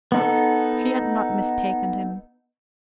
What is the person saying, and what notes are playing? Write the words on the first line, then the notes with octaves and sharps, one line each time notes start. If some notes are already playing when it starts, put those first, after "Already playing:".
She had not mistaken him.
B3 D#4 A4